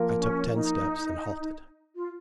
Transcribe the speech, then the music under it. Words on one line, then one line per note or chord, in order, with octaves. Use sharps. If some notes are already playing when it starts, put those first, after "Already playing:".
I took ten steps, and halted.
Already playing: F3 A#3 F4 A#4
C#4
D#4
F4